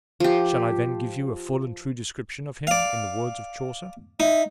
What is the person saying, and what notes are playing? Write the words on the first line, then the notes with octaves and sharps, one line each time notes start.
"Shall I then give you a full and true description of him in the words of Chaucer?"
F3 G4
D5 F5
D#4 E5